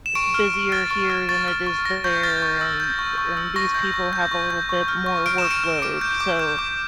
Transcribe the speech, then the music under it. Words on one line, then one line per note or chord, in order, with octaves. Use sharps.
it's busier here than it is there, and and these people have a little bit more workload, so
E7
C#6 D7
F6
C#6
F6 A6
C#6
F6
C#6 A6
F6
C#6
F6 A#6
C#6 G6
F6 A6
C#6
E6
G6
C#6
C#6
E6
C#6 A#6
G6
C#6
G6
C#6
G6
C#6
F6
C#6
F6 D7
E7
C#6
D7
F6
D6 D7
G6
D6
G6
D6